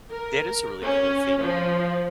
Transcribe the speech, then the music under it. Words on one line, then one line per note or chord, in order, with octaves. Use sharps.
That is a really cool theme,
A#4
C#4
F3